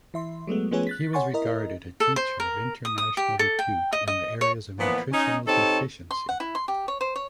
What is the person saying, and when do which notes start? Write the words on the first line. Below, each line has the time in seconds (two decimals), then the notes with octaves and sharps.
He was regarded a teacher of international repute in the areas of nutritional deficiency.
0.14 E3 E5 C6
0.47 F#3 G#3 A3 B3
0.71 F3 A3 B3 C#4 G#4 C#5
0.87 F#6 A6 B6
1.13 C#5 F#5 G#5 C6 C#6 A6
1.33 E4 A#4 D#5
2.00 A4
2.16 C5
2.40 A#4
2.85 D#6
2.98 D#6
3.17 G4
3.39 A4
3.59 G5
3.93 D#5
4.07 D#5
4.41 C#5
4.79 A#2 E3 F3 B3
5.12 C#4 D#4
5.46 C3 C4 D#4 A4 C#5 A5
6.11 C6
6.29 F#5
6.40 E4
6.55 C6
6.68 G4
6.88 C#5
7.01 C5
7.16 C#5